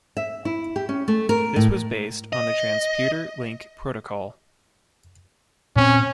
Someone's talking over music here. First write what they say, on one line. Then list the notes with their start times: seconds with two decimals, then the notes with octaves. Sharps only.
This was based on the Transputer link protocol.
0.17 E5
0.45 E4
0.76 G4
0.89 C#4
1.08 A3
1.29 A#4
1.56 A2
2.33 D#5
5.76 A#2 C4 C#4